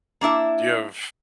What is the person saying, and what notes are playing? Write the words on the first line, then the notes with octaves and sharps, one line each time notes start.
do you have
A#3 D4 E4 E5